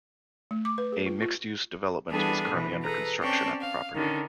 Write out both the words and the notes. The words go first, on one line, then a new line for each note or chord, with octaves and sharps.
A mixed-use development is currently under construction at the property.
A3
D6
B4
G#4
F4
F4
E3 G3 B3 D4 G#4 A4
B2 E3
G#4 A4 B4 A#5
C4 C#4 C#5 D5 G5 A5
F5
D3 D#3 C#4 D4